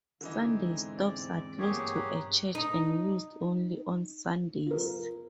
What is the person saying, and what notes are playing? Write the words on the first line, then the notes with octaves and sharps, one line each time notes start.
Sunday stops are close to a church and used only on Sundays.
E2 G#2 D3 E3 C4 D#4
D5
G1 A#3 G4 G#4 C#5
B1 G2 A#5 F#6
D#4
F4 A#4